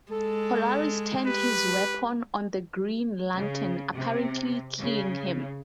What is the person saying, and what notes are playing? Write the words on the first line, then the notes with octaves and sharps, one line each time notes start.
Polaris turned his weapon on the Green Lantern, apparently killing him.
G#3 A4
G4 B4
C#3
C3
C#3